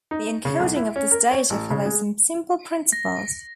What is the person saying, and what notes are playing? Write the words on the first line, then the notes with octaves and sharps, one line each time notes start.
The encoding of this data follows some simple principles.
D#4
C#3
B1
E4
C#4
A#4
C#5
A1
C#3
G#3
A#6